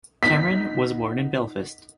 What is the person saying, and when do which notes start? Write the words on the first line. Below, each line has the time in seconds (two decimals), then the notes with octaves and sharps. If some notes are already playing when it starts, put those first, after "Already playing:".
Cameron was born in Belfast.
0.23 B3 D#4 B6